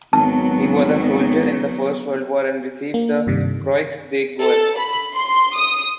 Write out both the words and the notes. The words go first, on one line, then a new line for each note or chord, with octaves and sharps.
He was a soldier in the first world war and received the Croix de guerre.
G#1 F#3 B3 A5
A#3
G2 C3 D#3
A4
B5
C6
D#6